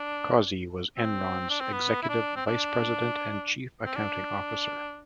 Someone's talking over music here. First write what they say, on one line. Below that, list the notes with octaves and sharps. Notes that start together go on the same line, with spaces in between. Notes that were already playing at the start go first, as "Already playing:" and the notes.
Causey was Enron's Executive Vice President and Chief Accounting Officer.
Already playing: D4
C4
D4
C4
B3
E4
D4
C4
D4
C4
D4